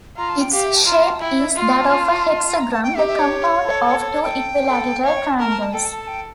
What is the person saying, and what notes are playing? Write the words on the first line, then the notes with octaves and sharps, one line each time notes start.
Its shape is that of a hexagram, the compound of two equilateral triangles.
F4 A#5
A5
G5
G4 F5
E5
A5
F4 A#5
A#5
A5
E4 G5
D5
E5
F4
A5
A#5
A5
G5
G4 E5
E5
C#5
A4
C#5
C#5
G5
A4
C#5 F5
G5
A5
A#4 A5
A5
A5
A4 G5
A5
A5
G5